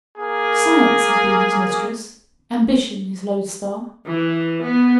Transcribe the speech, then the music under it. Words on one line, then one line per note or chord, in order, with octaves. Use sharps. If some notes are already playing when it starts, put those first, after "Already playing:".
Science had been his mistress; ambition his lode-star.
A#3 G#4 A#4
E3
B3